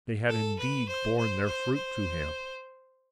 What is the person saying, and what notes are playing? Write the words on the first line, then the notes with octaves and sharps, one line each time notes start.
They had indeed borne their fruit to him.
A4
B4
C5
C5
C5
C5